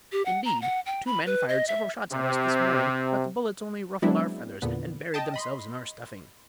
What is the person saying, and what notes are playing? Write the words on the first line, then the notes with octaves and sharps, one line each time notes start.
Indeed, two men fired several shots at us this morning, but the bullets only ruffled our feathers and buried themselves in our stuffing.
G4
F#5
A#5
F#5
G5
B5
B4
D#5
E5
C3
F#3 G#3 B3 C4 D4 E4
E2 A#2 D3 B3
D#5 G5 A5
D#5 B5 C6